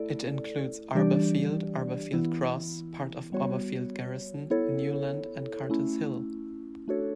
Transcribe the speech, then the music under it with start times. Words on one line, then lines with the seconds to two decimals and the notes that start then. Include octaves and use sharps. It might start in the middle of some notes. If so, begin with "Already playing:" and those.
It includes Arborfield, Arborfield Cross, part of Arborfield Garrison, Newland and Carter's Hill.
Already playing: A3 E4 A4 D5
0.95 E3 G3 D4 G4 D5
2.13 E3 B3 E4
3.32 G3 B3 F#4 C#5
4.50 B3 E4 A4 C#5
5.69 A3 C#4 E4
6.88 A3 D4 F#4 A4 C#5